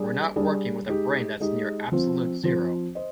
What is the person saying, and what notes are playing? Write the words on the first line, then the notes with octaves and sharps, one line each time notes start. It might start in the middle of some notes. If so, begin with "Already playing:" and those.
'We're not working with a brain that's near absolute zero.
Already playing: G3 D4 G#4 D5
G3 D4 G#4 D5
G#3 D#4 G4
G#3 D#4 G4
F3 C4 F4 C5
F3 C4 F4 C5
C5 D#5